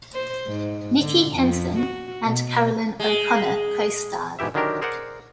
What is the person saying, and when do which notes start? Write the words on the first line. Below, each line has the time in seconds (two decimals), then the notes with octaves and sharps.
Nicky Henson and Caroline O'Connor costarred.
0.14 C5
0.47 G#2
1.01 D3
1.32 F2
1.79 F#4
2.24 B2
3.00 G#3
4.39 G#2 B2 E3 G4 E5
4.54 D3 D#3 F#3 D4 G4 A#4
4.81 G#4 A#4 C5 D5 F#5